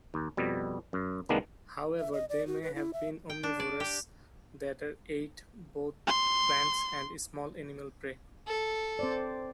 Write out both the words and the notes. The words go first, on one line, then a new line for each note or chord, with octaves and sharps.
However, they may have been omnivores that ate both plants and small animal prey.
D#2
F2 B2 G3
F#2
C2 D#3 G#3 A#3 B3 D4
E5
D#5
D5
F#4
B4
E4
E5
G5
D4
D5
G4
C6
A4
C4 C5 D5